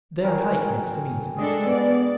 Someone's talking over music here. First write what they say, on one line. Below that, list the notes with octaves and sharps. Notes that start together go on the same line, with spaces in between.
Their height makes them easy.
F#2 E3 A#4 G5 G#5
G#3 D4 G#4 A4 D#5
B3 D5